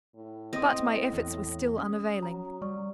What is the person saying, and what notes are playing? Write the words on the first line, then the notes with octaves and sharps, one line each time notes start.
But my efforts were still unavailing.
A2
C4 D#5 D#6 A#6
E2
C#4 D#6
F#3 A#5
G3 D5 C#6